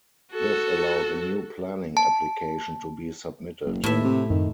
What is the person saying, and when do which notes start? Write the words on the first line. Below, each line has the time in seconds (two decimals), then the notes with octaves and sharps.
This allowed a new planning application to be submitted.
0.32 F#4 A4
1.97 A5
3.65 F#1
3.84 D#2 A2 A3 E5
4.05 C3
4.30 F#2 D#3